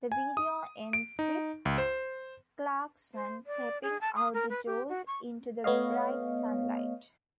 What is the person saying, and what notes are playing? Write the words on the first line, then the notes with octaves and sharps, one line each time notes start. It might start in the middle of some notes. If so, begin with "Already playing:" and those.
The video ends with Clarkson stepping out the doors into the bright sunlight.
G#5
D#6
D7
D#4
C#2
C5
C5
D5
G#4
A5
D#6
A#4
B4
G4
F#4
C#6
A3 B3 C#5 D#5 F5